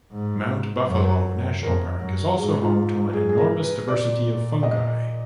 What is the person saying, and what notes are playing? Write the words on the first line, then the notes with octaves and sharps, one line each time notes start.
Mount Buffalo National Park is also home to an enormous diversity of fungi.
G#2
F#2
F2 A#4
F#2
G#2 G#4
F4
G#4
G#4
A#4
B4
A#2 D5
D#5